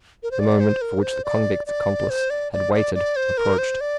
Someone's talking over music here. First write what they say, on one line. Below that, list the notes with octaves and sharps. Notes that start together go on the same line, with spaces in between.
The moment for which the convict's accomplice had waited approached.
A#4
C5
D5
C5
A#4
C5
D5
D5
C5
D5
D5
D5
D5
C5
A#4
C5
D5